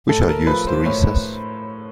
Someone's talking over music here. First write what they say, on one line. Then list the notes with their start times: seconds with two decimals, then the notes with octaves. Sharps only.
We shall use the recess.
0.09 A2 A4
0.21 A4
0.28 A#4
0.47 F3 B4
0.67 C5
0.86 A2 C#5